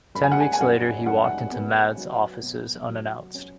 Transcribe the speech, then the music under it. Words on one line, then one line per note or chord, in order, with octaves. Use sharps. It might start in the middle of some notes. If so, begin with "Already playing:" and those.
Ten weeks later, he walked into "Mad"'s offices unannounced.
F#2 B5
G#5
F#5
G#5
G#5
F#2 F#5
F#2 F#5
E5
F#5
B3
F#3
B2
F#3
C#4